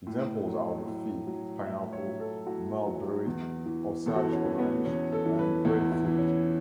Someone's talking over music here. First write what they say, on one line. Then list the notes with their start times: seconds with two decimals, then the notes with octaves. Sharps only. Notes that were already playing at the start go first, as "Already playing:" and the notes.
Examples are the fig, pineapple, mulberry, osage-orange, and breadfruit.
0.07 A2
0.47 F#3
0.87 A2
1.27 F#3
1.66 A2 E5
1.93 C#5
2.07 F#3
2.20 A4
2.46 A2 F#4
2.86 F#3
3.26 E2
3.66 E3
4.06 E2 A4
4.15 F#4
4.24 E4
4.32 C#4
4.45 E3
4.58 B3
4.85 E2 C#4
5.12 A4
5.26 E3
5.39 B4
5.65 E2 E4
5.92 E4
6.05 E3
6.18 C#4